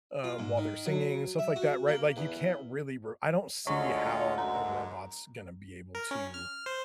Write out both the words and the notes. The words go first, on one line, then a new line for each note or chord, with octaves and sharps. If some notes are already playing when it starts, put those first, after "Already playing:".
um, while they're singing, stuff like that, right? Like, you can't really r I don't see how a robot's gonna be able to
F4
G#2
D#3
F#3
E5
F#4
A#3
E2
D2 D3 G#3 C#4 F4 C#5 D#5 C#6
F#2 A#5
A#4
C#4
F6
C5